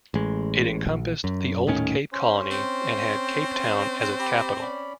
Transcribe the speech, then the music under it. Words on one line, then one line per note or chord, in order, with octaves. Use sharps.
It encompassed the old Cape Colony, and had Cape Town as its capital.
A1 G#3
A#1
F#2
D#1 A2 D#3 C#4
C#4 C5
C4
G4 B5
C#4 D5 B5